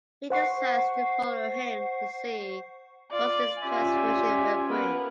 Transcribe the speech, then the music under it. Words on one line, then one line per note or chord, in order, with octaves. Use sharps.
He decides to follow him to see what this transformation will bring.
C5 F#5 C#6 C7
F4 D5
C#4 F4 G4 C5 D5 E5 G#5
A#3 B3 A#4